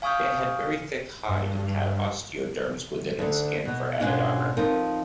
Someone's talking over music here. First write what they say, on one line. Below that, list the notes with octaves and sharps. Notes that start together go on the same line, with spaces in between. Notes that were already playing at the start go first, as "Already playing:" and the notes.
It had very thick hide and had osteoderms within its skin for added armor.
F5 G#5 C#6 D#6 F6 G6
G2
D2 D3
B2 B3
G#2 B2 G#3 C#4 D4 F4
F3 C4 D#4 A#4